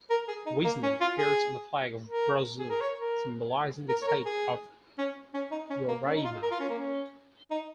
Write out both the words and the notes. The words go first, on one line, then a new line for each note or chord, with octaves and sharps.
Wezen appears on the flag of Brazil, symbolising the state of Roraima.
A#4
G#4
D#4
A#3
C#4
F4
G#4
A#4
G#4
A#4
C#5
A#4
A#4
C#5
A#4
G#4
C#4
C#4
D#4
C#4
A#3
C#4
D#4
F4
A#4
F4
C#4
A#3
C#4
D#4